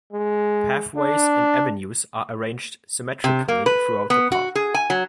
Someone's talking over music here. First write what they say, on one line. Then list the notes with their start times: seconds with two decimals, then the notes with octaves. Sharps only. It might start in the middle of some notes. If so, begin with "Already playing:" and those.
Pathways and avenues are arranged symmetrically throughout the park.
0.13 G#3
0.97 D4
3.24 C3
3.48 A#3
3.66 B4
4.10 B3
4.32 F#4
4.55 G#4
4.74 G#5
4.90 F#3